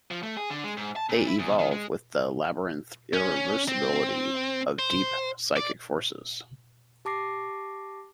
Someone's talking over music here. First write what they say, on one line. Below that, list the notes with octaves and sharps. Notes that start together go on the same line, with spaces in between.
They evolve...with the labyrinthine irreversibility of deep psychic forces.
F3
A3
G#4
D3
G#3
G#2
A5
A#2
E4
E2
D#3
G#3
C#4
C4
C5
D5
G4 A5 D6 A#6 C7